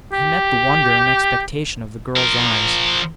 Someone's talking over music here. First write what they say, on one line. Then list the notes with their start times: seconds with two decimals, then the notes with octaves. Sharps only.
He met the wonder and expectation of the girl's eyes.
0.12 G4
2.16 F3 A#4